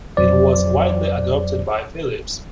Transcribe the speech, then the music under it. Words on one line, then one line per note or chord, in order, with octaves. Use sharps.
It was widely adopted by Philips.
F2 F#3 C5 D5